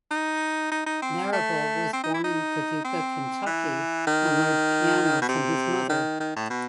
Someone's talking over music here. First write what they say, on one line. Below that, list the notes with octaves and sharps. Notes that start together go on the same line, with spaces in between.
Marable was born in Paducah, Kentucky, and learned piano from his mother.
D#4
D#4
D#4
C4
A3
C4
D#4
E4
D#4
C4
E3
D#3
B2
C3
D#3
D#3
A2
B2